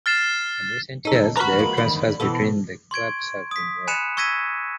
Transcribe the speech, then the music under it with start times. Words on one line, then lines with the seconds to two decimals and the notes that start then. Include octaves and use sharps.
In recent years, direct transfers between the clubs have been rare.
0.06 F6 A6 C7 E7
1.05 C#4 D#4 A4
1.37 F#4 A#4 B4 A#5 B5
1.58 F3 G#3 A#3
1.77 D#2 D3 D#3
2.20 B2 E3 B3 C4 A4
2.91 C6 C#6 G#6 D7
3.51 D#6 B6
3.87 G#5 B5 F#6 C#7 D#7 E7
4.17 C#6 E6 G#6 A#6 B6 D#7